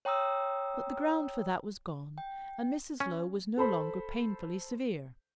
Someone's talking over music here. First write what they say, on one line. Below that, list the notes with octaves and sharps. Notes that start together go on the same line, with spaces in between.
But the ground for that was gone, and Mrs. Low was no longer painfully severe.
C#5 G5 A#5 D#6 E6
G5
C#4
A4 C5 B5